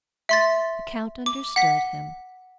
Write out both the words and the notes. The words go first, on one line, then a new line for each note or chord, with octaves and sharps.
The count understood him.
E5 C6 A6
D6
F#5 B6